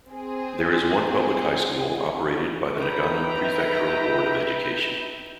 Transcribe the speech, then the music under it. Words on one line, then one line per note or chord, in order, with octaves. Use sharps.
There is one public high school operated by the Nagano Prefectural Board of Education.
C4 G#4
D#4 B4 E5 G5 A#5 B5